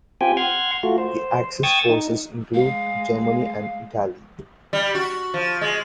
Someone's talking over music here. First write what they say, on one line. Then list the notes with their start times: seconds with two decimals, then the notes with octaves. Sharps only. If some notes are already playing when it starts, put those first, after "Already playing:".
The Axis forces include Germany and Italy.
0.21 C4 F4 G4 G5 G#5
0.37 F#5 C6 F6 G#6
0.83 A3 F4 F#4
0.98 C5
1.63 G5 C#6 D#6 E6 G#6 A6
1.89 D#4
2.54 G#3 F5
4.73 G3
4.95 F#4
5.34 F3
5.61 G#3